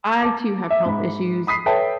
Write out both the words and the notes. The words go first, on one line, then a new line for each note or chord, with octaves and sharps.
I, too, have health issues,
A5 D6
E5
G#2 B5
B5 D#6 B6 C7
A4 B4 C#5 E5 G5 A5